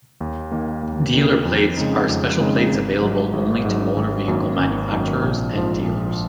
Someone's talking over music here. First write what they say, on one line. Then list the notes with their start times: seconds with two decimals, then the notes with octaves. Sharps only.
Dealer plates are special plates available only to motor vehicle manufacturers and dealers.
0.21 D#2
0.51 D#3 A#3
0.83 D#2
1.14 D#3 A#3
1.45 F2
1.77 C#3 G#3 C4 D#4
2.09 F2
2.40 C#3 G#3 C4 D#4
2.71 G#1
3.02 G#2 F#3
3.33 G#1
3.65 G#2 F#3
3.96 G#1
4.28 F#2 D#3 A#3
4.59 G#1
4.90 F#2 D#3 A#3
5.22 A#1
5.53 G#2 F3
5.84 A#1